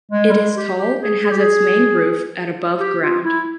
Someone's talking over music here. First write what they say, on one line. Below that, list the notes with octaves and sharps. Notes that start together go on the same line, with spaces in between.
It is tall and has its main roof at above ground.
G#3
G3
G#3
G4
G4
G#4
G#4
G4
G#4
G4
F4
E4